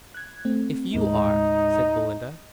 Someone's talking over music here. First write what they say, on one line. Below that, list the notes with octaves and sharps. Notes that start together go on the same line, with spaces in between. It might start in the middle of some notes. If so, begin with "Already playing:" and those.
"If YOU are," said Belinda.
F#6 G#6
A3 C4
D#2 A2 G#3 D#4